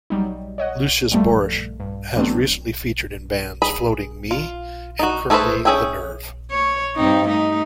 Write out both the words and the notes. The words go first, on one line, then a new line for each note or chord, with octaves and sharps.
Lucius Borich has recently featured in bands Floating Me, and currently the Nerve.
F#3 G3 D#4
C#5 D#5 F#5
G2 A#2 F3 G3 A3
G2
E3 F#3 A3 B3 C4 D4
G#4 B5
F4
D#4 F#4
A3 G#4 A4 B4 C5
C#4 D4 G#4 E5 G5
C#5
G2 C4 D#4
A3 D#4